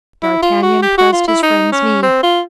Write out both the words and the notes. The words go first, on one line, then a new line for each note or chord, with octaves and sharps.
D'Artagnan pressed his friend's knee.
E4
F4
F#4
G4
F#4
F4
E4
D#4
C#4
C4
F4